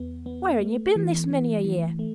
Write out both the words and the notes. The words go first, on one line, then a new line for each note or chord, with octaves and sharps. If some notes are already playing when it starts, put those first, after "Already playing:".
Where han ye been this many a year?
Already playing: E2 B3
B3
A3
E3
E3
E3
A3